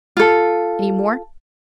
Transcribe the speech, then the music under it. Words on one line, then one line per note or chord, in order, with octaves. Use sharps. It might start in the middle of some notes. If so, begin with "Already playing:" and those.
"Any more?"
F4 A4